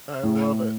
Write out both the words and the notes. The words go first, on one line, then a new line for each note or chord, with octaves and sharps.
I love it.
A2